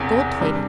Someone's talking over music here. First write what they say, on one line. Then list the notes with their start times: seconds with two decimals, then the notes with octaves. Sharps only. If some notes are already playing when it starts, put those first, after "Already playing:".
Gold Plated.
Already playing: E1 E2 C3
0.40 C3 G3 D4